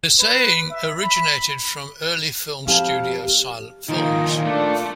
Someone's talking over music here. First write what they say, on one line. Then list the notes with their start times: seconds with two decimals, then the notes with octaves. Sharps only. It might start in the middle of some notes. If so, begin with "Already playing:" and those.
The saying originated from early film studios' silent films.
0.19 B4
0.70 E5
1.03 B5
2.67 F2 G4 F5 G#5 A5
3.89 A#2 D#3 F3 A#3 D#4 F4
4.46 A3 D4